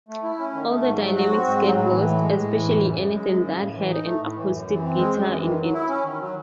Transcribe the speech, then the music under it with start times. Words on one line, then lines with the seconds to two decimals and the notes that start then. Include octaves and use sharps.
All the dynamics get lost, especially anything that had an acoustic guitar in it.
0.09 A3
0.23 E4
0.39 C#4
0.54 D#3
0.69 A3
0.84 G#2
1.01 F#3
1.16 F#4
1.31 C4
1.47 G#2
1.61 F#3
1.77 A2
1.92 E3
2.08 A2
2.22 G#3
2.38 A2
2.52 E3
2.69 F#2
2.83 C#3
2.99 F#2
3.14 G#3
3.29 F#2
3.45 C#3
3.60 A2
3.75 E3
3.90 D#4
4.05 A3
4.21 A2
4.37 E3
4.52 F#2
4.68 E3
4.83 C4
4.98 G#3
5.13 F#2
5.28 E3
5.44 D#3
5.60 F#3
5.74 E4
5.89 C#4
6.04 D#3
6.20 F#3